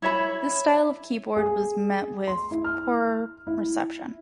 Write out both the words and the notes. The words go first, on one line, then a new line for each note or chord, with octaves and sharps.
This style of keyboard was met with poor reception.
E4 C#5 E5 B5
G#4
C6
E4
F6
E4